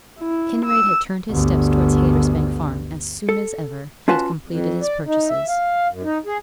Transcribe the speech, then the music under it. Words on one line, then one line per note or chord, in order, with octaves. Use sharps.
Kinraid had turned his steps towards Haytersbank Farm as soon as ever he had completed his purchases.
E4
E6
G1 D2
A4
C#4 F4 F#4 B4 A5
F2
D5
D#4
E5
F5
F#2
D#4
G#4